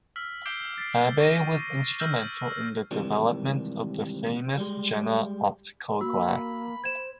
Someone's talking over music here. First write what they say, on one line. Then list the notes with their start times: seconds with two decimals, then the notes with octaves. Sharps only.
Abbe was instrumental in the development of the famous Jena optical glass.
0.16 E6 F6 B6
0.46 D6 G6 C7 D7 G7
0.78 A6 B6 C7
1.20 C#6 A#6 D#7
1.99 E6 F6 G6 A#6
2.91 G#2 C3 D#3 E3 G3
4.57 G3 G#3
6.01 A#3 F#4 B5 E6
6.84 C5 G#6 E7